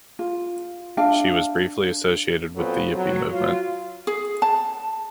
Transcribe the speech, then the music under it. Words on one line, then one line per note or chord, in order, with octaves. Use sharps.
She was briefly associated with the Yippie movement.
F4
D4 E5 F5 G5
A#2 F#3 B3 C4 F4 A4
F#3
F4 F#4
G#4
A5